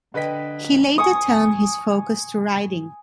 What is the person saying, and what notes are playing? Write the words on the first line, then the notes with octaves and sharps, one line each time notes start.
He later turned his focus to writing.
D3 B4 D#5 G5 B6
G#5 C#6 D#6